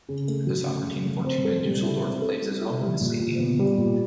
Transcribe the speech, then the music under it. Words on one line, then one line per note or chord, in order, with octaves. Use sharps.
The soccer team Fortuna Düsseldorf plays as home in the stadium.
C#3
A3
F#3
C#4
C#3
A3
C4
A4
G3
E4
C4
A4
G3
E4
G3
A#2
A#2
B3
G3
A#2